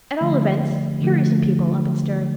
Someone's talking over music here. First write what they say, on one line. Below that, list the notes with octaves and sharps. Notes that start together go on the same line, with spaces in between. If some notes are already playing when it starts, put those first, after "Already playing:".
At all events here are some people up and stirring.
D3 F3 A3
D3 F3 A3
D3 F3 A3